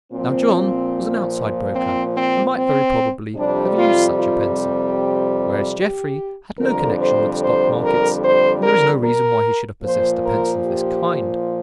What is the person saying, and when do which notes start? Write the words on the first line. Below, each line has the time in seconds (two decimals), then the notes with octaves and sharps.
Now John was an outside broker and might very probably have used such a pencil, whereas Jeffrey had no connection with the stock markets and there is no reason why he should have possessed a pencil of this kind.
0.12 A#2 F3 C4
1.73 C4
2.15 C4
2.54 C4
3.36 F2 C3 G3 D4
3.76 F4
4.16 F4
4.57 G4
5.78 G4
6.59 F2 D3 G3 A#4
6.99 C5
7.40 C5
7.80 A#4
8.21 C5
8.61 A#4
9.02 A#4
9.82 A#2 F3 C5
10.23 A#4
10.63 G4